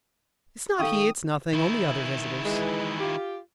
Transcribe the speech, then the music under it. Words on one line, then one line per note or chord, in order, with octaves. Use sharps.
"It's not he, it's nothing, only other visitors."
D#3 A4 F5 G5 C#6 D#6
D#3 E4
E3 G#3
F4 G4